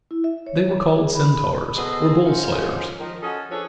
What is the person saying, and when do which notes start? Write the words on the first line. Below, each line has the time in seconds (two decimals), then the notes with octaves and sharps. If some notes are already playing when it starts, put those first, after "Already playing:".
They were called Centaurs, or Bull-Slayers.
0.11 E4
0.24 E5
0.46 C#5
0.96 G#4
1.15 B5
1.76 B2 F#4 G#4 A4 C5 D#5
2.24 G#2 C#3 F3 G#3 C#4
3.00 D#3 F3
3.22 C#4 F#4 A4 D#5
3.51 F3 D4 G#4 A4 B4 C#5